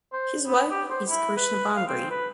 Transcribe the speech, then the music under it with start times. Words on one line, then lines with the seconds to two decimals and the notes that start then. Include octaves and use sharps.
His wife is Krishna Bhambri.
0.13 C5
0.46 B3
0.71 G4
0.90 C5
1.09 E4
1.36 B4
1.76 F5
1.88 C4
2.10 B4